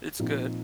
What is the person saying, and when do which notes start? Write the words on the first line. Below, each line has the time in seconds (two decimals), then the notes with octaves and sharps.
It's good.
0.19 A#2 F3 C4 D#4